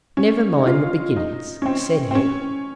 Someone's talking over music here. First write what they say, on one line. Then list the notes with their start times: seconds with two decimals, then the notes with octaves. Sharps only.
"Never mind the beginnings," said he.
0.17 C#4
0.57 D#4
0.67 F4
1.16 D#4
1.62 C#4
1.66 C4
2.11 C4
2.15 C#4